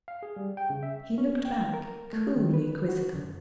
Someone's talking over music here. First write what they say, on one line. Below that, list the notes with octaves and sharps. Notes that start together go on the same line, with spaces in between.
He looked back, coolly quizzical.
F5
G#4
G3
G5
C#3
E5
C#4
G5
A#4
A3
D#3
B4
F#4
F#2